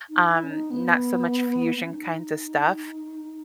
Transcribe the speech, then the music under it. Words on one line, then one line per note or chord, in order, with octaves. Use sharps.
um, not so much fusion kinds of stuff,
D#4
E4
C#4
D#4
B3
B3
C#4
D#4